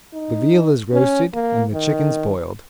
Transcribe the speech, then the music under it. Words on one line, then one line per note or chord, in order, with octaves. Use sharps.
The veal is roasted, and the chickens boiled.'
D#4
C#4
A#3
D#3